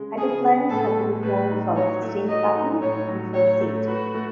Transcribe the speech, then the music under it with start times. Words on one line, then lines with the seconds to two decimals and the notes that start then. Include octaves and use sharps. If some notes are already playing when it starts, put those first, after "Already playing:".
Ideal plants have been grown from stem cuttings and from seed.
Already playing: C#3 G#3
0.17 C#3 G#4
0.44 B3
0.70 A2 A4
0.97 G#3
1.23 A2 B4
1.50 D#4
1.76 F#3 C#5
2.02 A3
2.29 F#3 D#5
2.55 D#4
2.82 A2 C#5
3.08 F#3
3.34 A2 C#5
3.60 A3
3.87 F#4 B4
4.14 A3